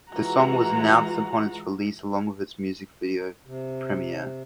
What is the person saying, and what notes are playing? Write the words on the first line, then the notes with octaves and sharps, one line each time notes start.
The song was announced upon its release along with its music video premiere.
E3 G#3 F4 F#4 F#5 A#5
C3